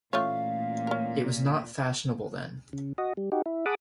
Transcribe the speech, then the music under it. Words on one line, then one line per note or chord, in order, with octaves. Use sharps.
It was not fashionable then.
A1 A#2 A3 F4 C#5 F5
C#4 A#4
C#3
F#4 D#5
G3
D#4 F#4 G4
E4
G#4 F#5 A5 B5 D6 D#6